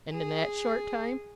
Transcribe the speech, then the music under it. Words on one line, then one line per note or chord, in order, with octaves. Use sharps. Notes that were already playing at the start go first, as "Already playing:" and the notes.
And in that short time!
G#4